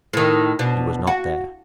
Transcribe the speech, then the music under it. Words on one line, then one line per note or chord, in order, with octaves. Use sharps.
He was not there.
A2 D#3
B2 D4
F#4